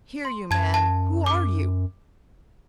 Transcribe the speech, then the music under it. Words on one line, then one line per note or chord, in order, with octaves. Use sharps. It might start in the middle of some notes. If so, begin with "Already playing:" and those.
Here, you man, who are you?
C6
F#2 A5 G#6
A5
D6